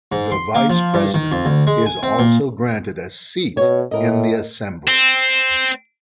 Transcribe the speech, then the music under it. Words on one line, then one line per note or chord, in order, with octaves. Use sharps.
The Vice President is also granted a seat in the assembly.
G#2
C6
A#3
F3
G2
D#3
F2
D2
G#3
G#5
C4
A#2
B2 C#5
A2 A#4 D#5
C4